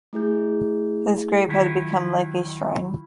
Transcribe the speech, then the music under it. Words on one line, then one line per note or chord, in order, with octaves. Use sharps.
His grave had become like a shrine.
A3 E4 G#4 G6
D#3 F3 F#3 E4 F4